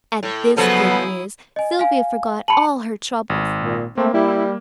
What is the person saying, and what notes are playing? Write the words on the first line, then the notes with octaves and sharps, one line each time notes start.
At this good news Sylvia forgot all her troubles.
A2
C#3 F3 F#3 B3 E4 A4 D#6
D#5 G#5
F5 G#5
A5 B5 C6 C#7 F#7
G#1
A#2
A3 A#3 C4
G3 E4